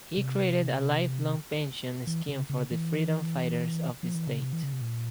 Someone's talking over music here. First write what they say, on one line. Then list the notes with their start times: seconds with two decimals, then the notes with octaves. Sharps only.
He created a lifelong pension scheme for the freedom fighters of the state.
0.17 C3
2.07 E3
2.29 C#3
2.50 C#3
2.71 E3
4.03 F3
4.15 E3
4.27 C#3
4.40 C3
4.53 E3
4.63 C#3
4.73 C3
4.82 A#2